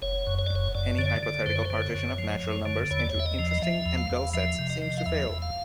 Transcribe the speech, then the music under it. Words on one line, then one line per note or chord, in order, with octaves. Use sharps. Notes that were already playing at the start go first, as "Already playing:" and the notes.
Any hypothetical partition of natural numbers into "interesting" and "dull" sets seems to fail.
F#1 C#5
F#2
C#5
D5
F#1
C#5
F#2 D5
D3 C#5
D5
D3
F#2 C5
C#5
D3 C5
C#5
F#2
F3
F#2
D3
E2 C#5
D5
C#5
E2 E5
D#5
F3
D#5
F3 E5
E2
F5
E2
F3 E5
C3
D#5
F3
F5
E2 E5
E2
F5